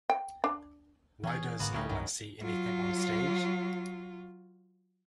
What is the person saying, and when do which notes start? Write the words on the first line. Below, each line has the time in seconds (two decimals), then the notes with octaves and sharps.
Why does no one see anything on stage?
0.10 G5
0.44 D4
1.23 E3 B3 C#4 G#4
1.59 A1 G#2 D3 A#3 B3 F#4
1.72 D2 G3 A3 C#4 D#4
1.89 C2 G2 D#3 F#3
2.41 F#3 F4